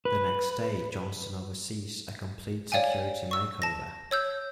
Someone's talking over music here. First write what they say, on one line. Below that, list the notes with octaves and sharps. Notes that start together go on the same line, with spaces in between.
The next day, Johnston oversees a complete security makeover.
B4
C#5 D5 F5 G5 G#5
C#6 E6
A5 A#6
C#5 E6 G6